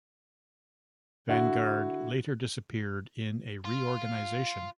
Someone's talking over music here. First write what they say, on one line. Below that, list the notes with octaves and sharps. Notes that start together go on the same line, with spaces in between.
Vanguard later disappeared in a reorganization.
D3 E4 F#4
F4